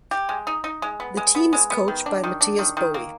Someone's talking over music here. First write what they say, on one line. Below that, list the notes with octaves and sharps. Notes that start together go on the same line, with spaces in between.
The team is coached by Mathias Boe.
G4
G#3
D#4
D#4
G#3
B3
G#3
B3
G#3
B3
D#3
D4
D#3
D4
D#3
D#3
A#3